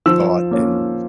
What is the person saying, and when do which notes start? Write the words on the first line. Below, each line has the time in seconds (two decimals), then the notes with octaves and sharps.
thought and
0.06 F3 E6
0.51 A#3 C#4